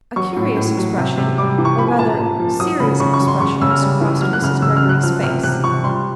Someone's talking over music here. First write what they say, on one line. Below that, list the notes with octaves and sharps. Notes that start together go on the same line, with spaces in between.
A curious expression, or rather, series of expressions crossed Mrs. Greggory's face.
F#3 C#6
A2
A2
F#3
C3
C3
G3 D6
E3
C#6
F3 B5
G#5
A#2 A5
A#5
A#2
F3
F#3 D#6
C#3 B5
C#3 C#6
C#6
F#3
C6
C#3 C#6
C#3 E6
F6
G3
E3
F#3 F6
F#6
C#3 F6
C#3 E6
F6
F#3
F#6
F3 F6
C3 F6
C3 F#6
F3 C#6
G3 C6